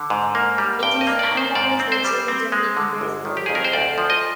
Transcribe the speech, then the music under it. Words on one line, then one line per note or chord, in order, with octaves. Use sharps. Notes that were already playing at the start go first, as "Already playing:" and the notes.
It is analogous to a changeup in baseball.
Already playing: D3
G#2
A#3
G3
G2 G5
D#5
A#3
D5
D#3
C5
G#2 D5
C4
C5
G3
C4
G#3
D3
G1
D#3
G4
F2 G#4
A#4
C5
D2 D5
F3
D#5